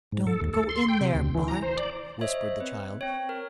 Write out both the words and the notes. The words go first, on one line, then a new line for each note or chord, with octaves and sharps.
"Don't go in there, Bart!" whispered the child.
G#2
A4
D#2
A4
C6
G5
C3
D2
E3
A#5
C5
D5
C5 C#5 D#5 E5
C4 B4
C4 C#5 G5
A#4